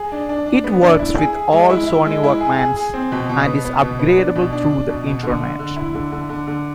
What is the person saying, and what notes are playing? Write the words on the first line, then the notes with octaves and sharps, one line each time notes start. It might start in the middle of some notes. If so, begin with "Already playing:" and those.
It works with all Sony Walkmans, and is upgradable through the internet.
Already playing: G#4
D4
D4
D4
B3
D4
E4
G#4
G#4
G#3
E4
E4
G#3
E4
G#4
G#4
G#4
C4
B2
B2
B3
B3
B2
B3
D4
B2
D4
D4
B2
B2
D3
D3
D3
E4
D3
D3
D3
D3